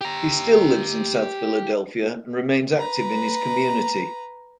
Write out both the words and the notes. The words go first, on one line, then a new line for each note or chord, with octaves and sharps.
He still lives in South Philadelphia, and remains active in his community.
G4 A#5
B4 A#5